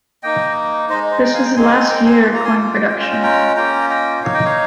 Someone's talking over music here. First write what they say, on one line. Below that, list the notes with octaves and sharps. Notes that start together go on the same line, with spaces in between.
This was the last year of coin production.
A#3 D#4 D#5 G5
G#3 D#4 C5 D#5
C5 D#5
D#5 G5
F5 G#5
G5 A#5
G#3 C4 D#4 G#5 C6
G5 A#5
G#5 C6
A#3 F4 C6
A#5
G#5 C6
D#5 G5
G#3 C#4 F4 D#5 G5
D#5 G5
D#5 G5
G5 A#5
A#3 C#4 F4 G5 A#5
D#5 G5
A#3 D#4 C#5 F5
D#5 G5
C#5 F5